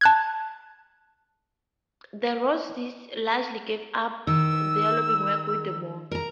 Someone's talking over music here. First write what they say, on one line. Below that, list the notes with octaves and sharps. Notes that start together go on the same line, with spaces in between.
The Roses largely gave up their lobbying work with the move.
A5 F#6 G#6
D#3 E6
A#4 A#5